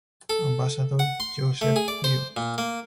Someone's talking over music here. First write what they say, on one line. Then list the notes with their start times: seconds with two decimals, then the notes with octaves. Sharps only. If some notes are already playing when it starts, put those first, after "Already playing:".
Ambassador Joseph Grew.
0.30 A4
0.99 F#5
1.20 C6
1.61 A3
1.76 G#4
1.88 D5
2.04 C5
2.37 A#2
2.58 A#3